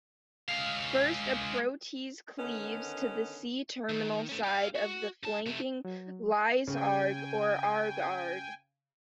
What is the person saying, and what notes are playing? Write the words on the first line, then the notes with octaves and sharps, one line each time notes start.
First, a protease cleaves to the C-terminal side of the flanking Lys-Arg or Arg-Arg.
G#3 F5
D3 D#3 B3 C#4
D#3
A3 C#4
G4 F5
F#4
G2 A5
C3 A3
F#3
C#3 G5 G#5